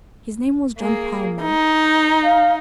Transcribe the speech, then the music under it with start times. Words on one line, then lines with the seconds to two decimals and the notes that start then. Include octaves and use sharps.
His name was John Palmer.
0.80 A#3 G#4
1.42 D#4
2.24 F5